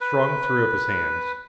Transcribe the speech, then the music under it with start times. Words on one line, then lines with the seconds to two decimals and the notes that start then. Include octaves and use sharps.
Strong threw up his hands.
0.01 B4